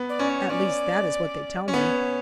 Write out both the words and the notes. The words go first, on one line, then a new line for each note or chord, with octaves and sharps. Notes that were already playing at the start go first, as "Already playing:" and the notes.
At least that is what they tell me.
Already playing: B3
D5
C#4
C#5
C#4 D5
C#4
B3 C#5